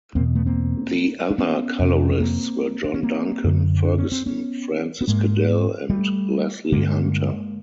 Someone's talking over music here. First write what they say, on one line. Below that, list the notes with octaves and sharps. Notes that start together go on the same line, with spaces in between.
The other colourists were John Duncan Fergusson, Francis Cadell and Leslie Hunter.
E2 B2 A#3 C4
A3 B3
A#3 C4
D4
B3 C#4
F2 C3
C#4
A#3 C4
D4
C#4
A#3 C4
F#2 D3
D4
C#4
C4
B3 C#4
B3
G#2 G#3 A#3
G3 A3
G2 D3 G#3 A#3